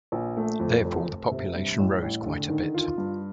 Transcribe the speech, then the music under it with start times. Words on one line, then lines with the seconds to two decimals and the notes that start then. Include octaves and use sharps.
Therefore, the population rose quite a bit.
0.12 A#1
0.37 A3
0.60 F2
0.84 F1
1.07 F1
1.31 C3
1.56 G2
1.79 A1
2.02 A1
2.26 D3
2.49 D#3
2.74 F4
2.98 G2